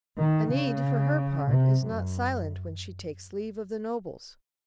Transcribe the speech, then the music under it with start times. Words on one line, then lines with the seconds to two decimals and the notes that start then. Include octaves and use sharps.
Enide, for her part, is not silent when she takes leave of the nobles.
0.18 D#3
0.51 C#3
1.51 C3
1.84 F#2